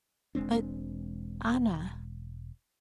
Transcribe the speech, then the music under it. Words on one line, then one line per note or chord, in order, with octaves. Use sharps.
"But, Anna..."
E1 G#3 C4 D4